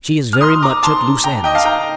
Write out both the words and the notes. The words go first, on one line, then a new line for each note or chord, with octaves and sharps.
She is very much at loose ends.
F6
C6 D#6
A#5 D6
A5 C6
G5 A#5
D#5 G5
F5 A5
G5 A#5